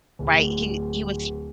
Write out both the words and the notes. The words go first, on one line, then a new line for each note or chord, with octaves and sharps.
right? He he was
D1